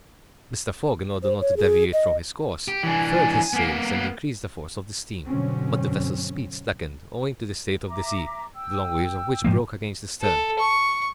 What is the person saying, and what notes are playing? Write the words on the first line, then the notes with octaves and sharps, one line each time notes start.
Mr. Fogg, in order not to deviate from his course, furled his sails and increased the force of the steam; but the vessel's speed slackened, owing to the state of the sea, the long waves of which broke against the stern.
C5
C#5
G#4
D#5
G4
E3 D4 G#5
A#3 B3
G2 B2 D3 F#3 C4 C#4
E5 A#5 D6
G5 E6
G#2 F3 A#3 G5
A4
C#6